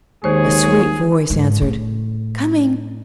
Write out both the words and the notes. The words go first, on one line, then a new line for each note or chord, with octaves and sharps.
A sweet voice answered, "Coming!"
D#2 D#3 G#3 G#4 C5 C#5
G#2
A2